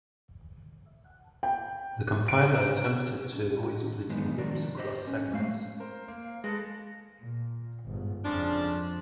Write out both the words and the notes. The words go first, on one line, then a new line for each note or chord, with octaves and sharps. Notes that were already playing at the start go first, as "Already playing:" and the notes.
The compiler attempted to avoid splitting loops across segments.
G5
D7
D4
G#2
F#4
D#3
F#2 D3 D#3 G#3 B3 D#4
C3 D#3 F3 D4 A#4 D5
G4 C5 D#5
C#4
G#3 A3 C4 F5
A#4 C5
A#3 F5
G#3 A4 B4 A#6
A#2
G1 G#2
F2 C#3 F3 D4